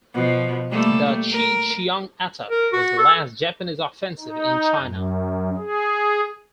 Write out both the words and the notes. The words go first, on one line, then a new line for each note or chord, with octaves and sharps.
The Chihchiang attack was the last Japanese offensive in China.
B2 F3
G3 A3 A#3
A#4
A#4
F#4
A4
D#4
F#2
G#4